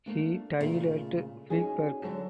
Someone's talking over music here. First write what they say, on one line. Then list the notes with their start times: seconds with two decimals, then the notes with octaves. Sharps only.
He died at Freiburg.
0.06 A3 A#3 D4
0.58 A#2 C#3 F3 G3 A3 A#3
1.50 C#4 D#4 F#4 G#4
2.02 D3 F#3 A4 A5